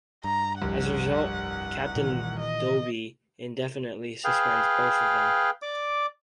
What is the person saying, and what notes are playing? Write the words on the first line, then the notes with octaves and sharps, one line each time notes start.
As a result, Captain Doby indefinitely suspends both of them.
G2 A#5
F1 C2 F#5
A#2 D#3 E3
D#5
G#4 B4 F5 G5
D5 D6